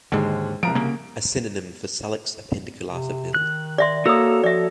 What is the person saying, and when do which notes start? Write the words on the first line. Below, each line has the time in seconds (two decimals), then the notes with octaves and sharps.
A synonym for Salix appendiculata Vill.
0.12 D#2 G#2 D3 G#3
0.63 C2 F3 A#5 D7
0.75 C#3 A#3
2.86 C3
3.34 D#3 F#6
3.78 D5 E5 C6
4.06 A#3 F#4 A4 C#5 D#6 E6
4.44 F3 D5 E5